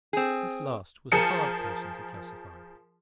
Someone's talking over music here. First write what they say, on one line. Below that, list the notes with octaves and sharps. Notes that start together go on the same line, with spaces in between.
This last was a hard person to classify.
C4 G#4
F3 G#4 A#4 A5 C#7 D#7